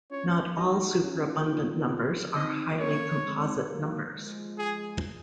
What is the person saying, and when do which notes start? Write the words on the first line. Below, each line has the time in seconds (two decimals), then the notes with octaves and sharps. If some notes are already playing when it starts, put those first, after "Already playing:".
Not all superabundant numbers are highly composite numbers.
0.11 C#4 F4 C#5
0.56 D#4 F#4 D#5
1.00 C#4 F4
1.45 C#4 F4
2.34 C4 D#4 D#5
2.79 A#3 C#4 C#5
3.25 G#3 C4
3.69 F#3 A#3
4.13 F3 G#3
4.58 G#4